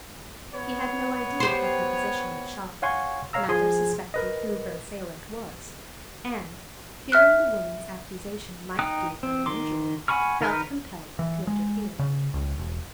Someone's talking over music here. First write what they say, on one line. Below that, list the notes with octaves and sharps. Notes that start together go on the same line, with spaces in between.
She had no idea of her position in the shop, neither suspected who her assailant was, and, fearing the woman's accusation might do her an injury, felt compelled to interfere.
B3 C#5
G4 C5
C#5 F5 F#5 G#5 C6 C#6
C#5 F5 A#5 E6
F3 G#4 G#5 C6 D#6
A#4 B4 D#5
E5 F6 F#6
D#4 G5 D#6 F#6
C4
D#3 C6 D6
F#5 G#5 B5 C#6 F6
D#3 A#4 B4 F6 G6
E3
G#3
C#3
C#2
E1